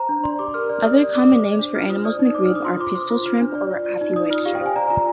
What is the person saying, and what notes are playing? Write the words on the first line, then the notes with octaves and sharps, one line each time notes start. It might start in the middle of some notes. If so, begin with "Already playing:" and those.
Other common names for animals in the group are pistol shrimp or alpheid shrimp.
Already playing: C5 A#5
D4
D5 C6
G4 D6
A#4 F6
D5
G4 D#6
D5
G4 D6
C5 D6
C5
D4
F4 F6
C5 D#6
D5 D#6
D#4
C5 D6
F6
D4 D#6
F4 C6
C5 D6
C5
F4
C5 F6
D4
D5
F4
D5
D#4
D5 D#6
F4 F6
G4 F5
G5
C5
G#5
D5 A#5
F4 A#5